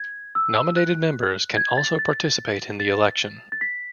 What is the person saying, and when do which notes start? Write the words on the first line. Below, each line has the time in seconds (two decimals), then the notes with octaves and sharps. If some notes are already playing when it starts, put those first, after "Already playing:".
Nominated members can also participate in the election.
Already playing: G#6
0.35 E6
0.76 F#6
1.57 G#6
1.77 A6
1.99 A6
2.80 A6
3.52 A6
3.61 B6